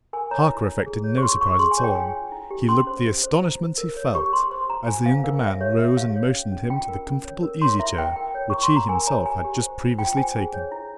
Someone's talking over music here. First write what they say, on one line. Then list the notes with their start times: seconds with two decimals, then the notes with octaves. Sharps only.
Harker affected no surprise at all--he looked the astonishment he felt as the younger man rose and motioned him to the comfortable easy-chair which he himself had just previously taken.
0.13 A#4 G#5
0.31 C#5 A#5
0.50 E4
0.67 E4
0.86 G#4
1.04 C#5
1.18 C#6
1.23 F4 C6
1.41 F4 C#6
1.59 G#4 C6
1.71 G#5
1.78 C#5
1.84 G5
1.95 F4 G#5
2.14 F4
2.32 E4
2.51 G4
2.69 C#4 C6
2.87 C5
3.05 G4
3.24 C5
3.41 E4
3.60 E4
3.78 A#4
3.97 C#5
4.15 G4 C#6
4.33 G4 C6
4.51 C5 C6
4.70 F4 A#5
4.88 F4 G#5
5.06 C5 F5
5.24 A#4 F5
5.42 C#5 E5
5.61 G4 C#5
5.79 G4 E5
5.97 G4 F5
6.16 C#5
6.34 C#4
6.52 C#4
6.70 F4 G5
6.88 A#4
7.07 C#4
7.25 C#5
7.43 A#4
7.62 C#5 C6
7.80 E4 E5
7.97 E4 G5
8.16 A#4 G5
8.35 C#5
8.50 E4 C#6
8.63 C6
8.71 E4
8.76 A#5
8.89 A#4 G#5
9.07 C#5 A#5
9.26 G4 G#5
9.44 G4
9.62 C5
9.80 F4
9.99 F4 G5
10.17 C5 G#5
10.35 G#4
10.53 C#5
10.72 E4